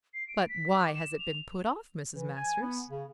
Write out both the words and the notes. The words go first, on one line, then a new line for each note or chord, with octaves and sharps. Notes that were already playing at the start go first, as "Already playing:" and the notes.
"But why has it been put off, Mrs. Masters?"
C7
D7
B6
D6
E7
F7
E3
G#5
B3
C#3